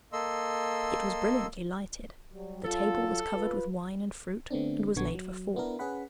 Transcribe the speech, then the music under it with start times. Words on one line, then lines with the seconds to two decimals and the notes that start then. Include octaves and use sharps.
It was brilliantly lighted; the table was covered with wine and fruit, and was laid for four.
0.13 A#3 A4 D#5 C6 E6
2.34 F#3 G3
2.65 F#3 F4 A4
3.34 F4 B4
4.50 D3 A3 B3 C4 D4
4.96 A#1 D3 B3 C#6 G#6
5.14 F#3
5.56 B3 D4 E4 A#4
5.79 C#4 G#4 B4 F#5 B5